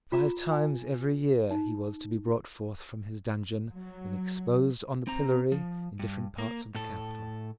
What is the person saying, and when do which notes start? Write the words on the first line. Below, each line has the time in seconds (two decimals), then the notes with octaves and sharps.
Five times every year he was to be brought forth from his dungeon and exposed on the pillory in different parts of the capital.
0.12 F4 A#5 D6
0.52 G#5
1.51 D#4
3.73 F#3
5.07 C4 A#5
5.52 F3
5.99 G2
6.38 A#3
6.75 A2 A4